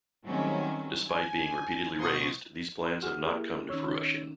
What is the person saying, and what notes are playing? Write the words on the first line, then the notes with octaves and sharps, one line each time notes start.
Despite being repeatedly raised, these plans have not come to fruition.
D#3 F#3 G3 A3 C4 C#4
G#5
B2 F3 C6 C#6 D#6
F#4 G#4 F6
A#3 E4 G4 G#4
D#3 C#4 C#5 E6